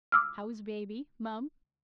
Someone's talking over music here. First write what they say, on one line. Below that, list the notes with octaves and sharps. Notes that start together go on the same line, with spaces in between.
How's Baby, mum?
D6 E6 F6